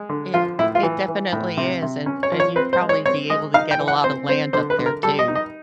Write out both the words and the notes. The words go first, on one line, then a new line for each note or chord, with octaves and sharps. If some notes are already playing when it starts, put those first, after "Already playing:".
It it definitely is, and and you've probably be able to get a lotta land up there too.
Already playing: G#3
D3
F3 F4
A2 E4
F4
E3
E3
A2
C3
C3
C#4
C#5
F3
C#5
C4 B4
C5
G#3
C#5
C4 C#5
G#3 D#5
D#4 F5
G5
E3
F#5
C4 C5
C4 C5
D3 C5
B4
D3
A#4
G3 A4
D#5
D#4
D#5